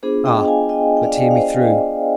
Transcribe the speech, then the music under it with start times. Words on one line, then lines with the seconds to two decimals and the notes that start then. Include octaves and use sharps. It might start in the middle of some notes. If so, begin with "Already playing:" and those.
Ah, but hear me through.
0.03 B3 D4 F4 G#4 C5
0.25 D#5 G5
0.48 F5 G#5
0.69 D#5 G5
0.97 G5
1.03 D5 F5
1.31 F5
1.37 C5 D#5